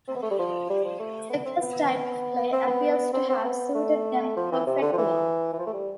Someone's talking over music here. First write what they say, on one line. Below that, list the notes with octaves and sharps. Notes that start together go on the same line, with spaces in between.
Dekker's type of play appears to have suited them perfectly.
C4
B3
A3
G3
F3
G3
F3
A3
B3
C4
B3
C4
B3
C4
C4
B3
A3
F3
E3
C3
D3
F3
E3
E3
F3
A3
G3